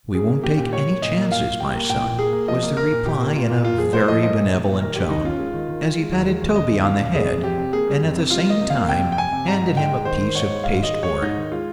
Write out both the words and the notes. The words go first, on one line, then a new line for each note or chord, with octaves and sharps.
"We won't take any chances, my son," was the reply, in a very benevolent tone, as he patted Toby on the head, and at the same time handed him a piece of pasteboard.
C#4 G#4
A#3
C#4 G4
A#2
G3 C#5
A#3
A#2 D#5
A#3
A#2 F5
A#2
G3 G5
A#3
A#2 G5
A#2
A#3 G#4
A#3
F3 D#5
A#3
A#3 A#4
A#2
A#2 G4
A#3
A#3 F4
A#2
A#3 F4
F3 G#4
A#3 C5
F3 D#5
A#3 D#5
A#2
A#2
A#2
D#3 A#4
D#3 G4
D#2 D#4
C#4 F4
G#3
D#3
D#3
D#3
G#3
D#2
G#3
D#2
C#4 D#5
D#2
C#4 F5
D#2
F2 G#4
F2
F2 G4
C3
A#3 G#4
G3
F2
C3
G3 F4
A#3 D#5
C3
A#3 F5
C3 G5
F2
G5
C3 G#5
C3
G#2 A#5
G#2
G#2 G5
G#3
D#3 C5
D#3
G#2 C#5
G#2
G#2 F5
D#3 D#5
G#3
C#5
G#3
G#2 D#4
D#3
G#3 F4